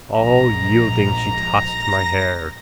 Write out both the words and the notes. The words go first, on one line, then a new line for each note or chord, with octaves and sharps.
All yielding she tossed my hair.
A#1 G#2 A#5
A#6